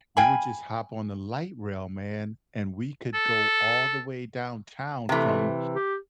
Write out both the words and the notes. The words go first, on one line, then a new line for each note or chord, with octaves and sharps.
we would just hop on the Light Rail, man, and we could go all the way downtown from
F5 G5 G#5 B5
A4
C3 E3 A3
G4